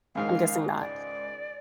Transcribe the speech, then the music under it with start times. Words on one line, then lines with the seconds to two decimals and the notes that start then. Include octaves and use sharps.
I'm guessing not.
0.15 C#2 G#2 D#3 F5
0.80 D5